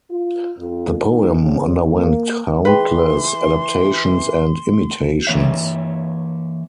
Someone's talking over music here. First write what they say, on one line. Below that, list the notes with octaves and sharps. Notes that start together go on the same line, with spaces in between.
The poem underwent countless adaptations and imitations.
F4
F2
D#3
C#3
A#3
E3 G#4 B4 G5 C6
E3 A#3 C#5 E5